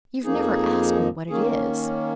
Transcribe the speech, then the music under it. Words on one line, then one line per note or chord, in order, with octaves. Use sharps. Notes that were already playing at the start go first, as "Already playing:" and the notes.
You've never asked me what it is.
F2 F3 A#3 D#4 G#4
D#3 A#3 C#4 G#4